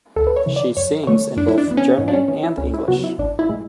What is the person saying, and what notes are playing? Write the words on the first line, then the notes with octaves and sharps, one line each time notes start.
She sings in both German and English.
D2 A4
B4
C#5
C#3 E3
D5
F#2 C#5
D3 A3 C#5
F#2 D4
E4
D4
E3 B3
C#4
G#2 C#4
D4
C#4
E3 B3 C#4
E4
C#2 C#4
E4
C#3 F#3 B3 F#4
E4
A1 D4
E4
A2 G#3